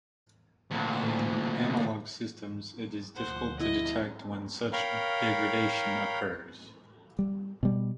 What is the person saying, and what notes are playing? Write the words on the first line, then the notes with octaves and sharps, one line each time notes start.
In analog systems, it is difficult to detect when such degradation occurs.
D2 A#2
D2 B2 F3 C5 F#5
E4 D#5
A#4 C#5 F5 G5 A#5 B5
G3
B2 G3